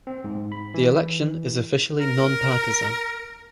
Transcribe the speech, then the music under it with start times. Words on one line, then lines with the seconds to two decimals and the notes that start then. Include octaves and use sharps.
The election is officially nonpartisan.
0.07 C4
0.24 G#2
0.52 B5
0.74 E3
2.01 A#4